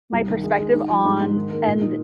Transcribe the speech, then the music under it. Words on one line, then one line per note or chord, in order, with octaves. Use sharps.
my perspective on and
C2
D#3
G#3
G#3
D#4
F3
G#2
G#2
D#3
A#3
A#2
D#4